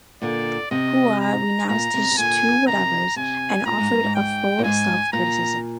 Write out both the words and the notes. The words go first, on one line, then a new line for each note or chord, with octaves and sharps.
Hua renounced his "Two Whatevers" and offered a full self-criticism.
A#2 D3 D5
C3 D#5
A#5
A#2 A#5
C3
C3
A#2 D3 G#5
C3 D#3 A#5
C3 G#5
A#2 A#5
G#2
G2
G#2
G5
A#2
G#2 G#5
A#2 A#5